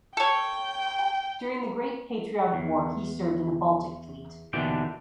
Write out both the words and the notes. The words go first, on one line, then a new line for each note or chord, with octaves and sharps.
During the Great Patriotic War he served in the Baltic Fleet.
A4 C#5 G5
E2
D#2 B2 D3 E3 D4 G5